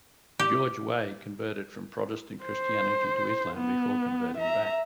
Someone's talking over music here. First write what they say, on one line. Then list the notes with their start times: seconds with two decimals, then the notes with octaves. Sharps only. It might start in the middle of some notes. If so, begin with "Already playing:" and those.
George Weah converted from Protestant Christianity to Islam, before converting back.
0.39 G4
2.44 C5
3.56 B3
4.38 E5 A#5